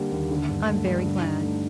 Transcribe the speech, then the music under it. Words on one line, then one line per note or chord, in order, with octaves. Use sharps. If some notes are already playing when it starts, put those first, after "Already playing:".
"I'm very glad."
Already playing: D3 G3 A#3
D#2
D3
G2
A3
G2
D3
D#4
A3